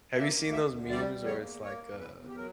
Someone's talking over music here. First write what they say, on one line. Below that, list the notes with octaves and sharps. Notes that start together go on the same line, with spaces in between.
Have you seen those meme's where it's, like, uh
A#3 E5
D2
E5
D2
G3 D5
E2
C#5
A#3
A#3 C#5
E2
B4
E2
G4
F#3 A#4